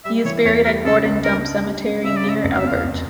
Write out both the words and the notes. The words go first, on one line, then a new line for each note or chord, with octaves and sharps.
He is buried at Gordon Dump Cemetery, near Albert.
G3 E5
E3 C#5
E2 C#5
G3 A#4
C#3 A4
C#2
D4 A#4
D4
G3
C#3
C#3 E5
D5
C#3
E5
F1
F5
E5
E2 F5
F1